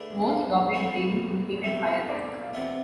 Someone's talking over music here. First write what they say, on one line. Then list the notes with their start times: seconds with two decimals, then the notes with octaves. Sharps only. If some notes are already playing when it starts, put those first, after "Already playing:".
More elaborate braiding indicated higher rank.
Already playing: D3 A3 D4 G#4 B4 D5 E5
0.29 F5
0.74 A3 C4 E4 G#4
1.64 B2 A3 C4 E5
2.09 D5
2.42 F5
2.53 C3 E3 B3 F4 E5